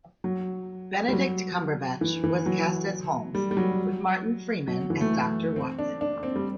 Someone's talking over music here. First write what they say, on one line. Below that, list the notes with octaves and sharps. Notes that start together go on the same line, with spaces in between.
Benedict Cumberbatch was cast as Holmes, with Martin Freeman as Doctor Watson.
F#3
G3
F#3
E3
E3
F#3
G3
G3
F#3
F#3
E3
A3
C4
D4
D4
C4
G3